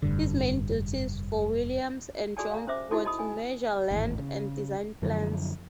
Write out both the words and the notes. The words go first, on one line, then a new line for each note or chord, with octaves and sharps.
His main duties for Williams and Jones were to measure land and design plans.
F1 G2 D3
F#4 G#4 A4 D5 G#5 A5
F5 A#5
C#4 C5 E5 D6
D#4 E4 F#4 G#4 A4 A5
D#5 A5 B5 D#6
G#5
G#1 D#2 A2 E3
C#3
F#2 D3 F3